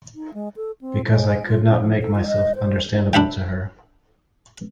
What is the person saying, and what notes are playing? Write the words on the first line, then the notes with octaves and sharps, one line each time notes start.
Because I could not make myself understandable to her.
D#4
G#3
A4
C4
G#3
F4
C#4
F3
A4
F4
D#5
C5
D4 E4 E5 G5